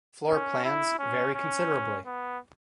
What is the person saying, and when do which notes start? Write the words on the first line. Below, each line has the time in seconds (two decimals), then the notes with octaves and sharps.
Floor plans vary considerably.
0.28 C#4
0.64 E4
0.99 C#4
1.35 C#4
2.06 B3